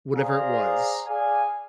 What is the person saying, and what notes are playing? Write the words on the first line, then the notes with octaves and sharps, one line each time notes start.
whatever it was
G#4 C5 D5 F5 A#5
G#4 D5 F5 G#5